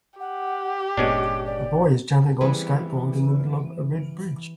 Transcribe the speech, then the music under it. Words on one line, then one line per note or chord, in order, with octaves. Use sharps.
A boy is jumping on skateboard in the middle of a red bridge.
G4 F#5
G1 A#2 G#3 B3 C#4 D4 D6
D5
E3 G3 B3 C4 G#4 B4